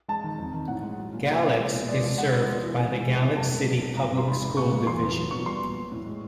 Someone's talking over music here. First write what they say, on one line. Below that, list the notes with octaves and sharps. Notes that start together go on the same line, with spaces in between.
Galax is served by the Galax City Public School Division.
G#3 A5
D#3
F2
D#3
A2 F#5
G#3
F#3
A#2
F#3
A#2
G#3 C#5
B2
G#3 D5
F3
G#3 F#5
B2
G#3
E3
G#3 G#5
E3
G#3
B2
F#2 A5
G#3
F#3
B2
G2 A#5
G3
C6
G#2 B5
G#3
A#2 C#6
G#3
E2 C6
F3
F#3
B2 C#6
G3 C6
A#2
F#3
A2
G#3